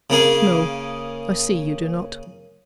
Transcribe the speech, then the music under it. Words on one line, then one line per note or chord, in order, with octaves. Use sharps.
'No, I see you do not.
C#3 A#3 G#4